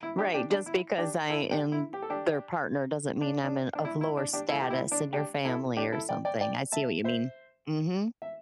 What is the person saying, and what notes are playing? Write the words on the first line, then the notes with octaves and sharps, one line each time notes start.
Right, just because I am their partner doesn't mean I'm in of lower status in your family or something, I see what you mean. Mhm.
E4
D4 G4
D4 G4
D4
E4
D4 G4
E4 A4
D4 G4
E4
G4
A4
D4 G4
D4
D4
D4
E4
E4
D4
D4 G4
E4 A4
G4
E4
D4
D4 G4
E4 A4
D4 G4
E4 A4
D5 G5
D5 G5
D5 G5
E5 A5
C5 E5
E5